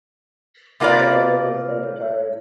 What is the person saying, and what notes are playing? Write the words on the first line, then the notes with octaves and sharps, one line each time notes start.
Greyhound was then retired.
C3 A#3 F4 B4 D5